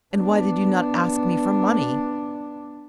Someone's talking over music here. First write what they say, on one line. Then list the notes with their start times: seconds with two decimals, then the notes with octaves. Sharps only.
"And why did you not ask me for money?"
0.15 B3 D4